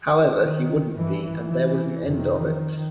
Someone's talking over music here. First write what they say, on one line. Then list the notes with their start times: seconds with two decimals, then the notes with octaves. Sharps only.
However, he wouldn't be, and there was an end of it.
0.41 D#3
0.94 G2 E3
1.47 E3
2.01 F2 C3 D#3